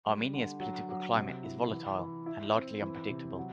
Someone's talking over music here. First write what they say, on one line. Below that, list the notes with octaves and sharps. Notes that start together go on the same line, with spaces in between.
Armenia's political climate is volatile and largely unpredictable.
G3
D3
F#3
F#3
C3
E4
E3
E3
E4
C4
E3
C3
F#3